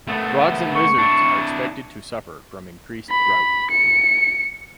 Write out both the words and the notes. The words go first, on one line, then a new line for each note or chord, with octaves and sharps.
Frogs and lizards are expected to suffer from increased drought.
A3 B3
C#6
D4 E4
B5
C#7